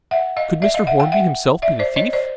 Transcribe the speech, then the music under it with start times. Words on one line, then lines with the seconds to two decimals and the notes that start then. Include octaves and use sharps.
Could Mr. Hornby himself be the thief?
0.11 E5 F#5
0.37 D#5 F5
0.62 D5 E5
0.74 D#5 F5
0.87 E5 F#5
1.00 F5 G5
1.12 E5 F#5
1.62 D5 E5
1.79 C5 D5
1.96 C#5 D#5
2.13 C5 D5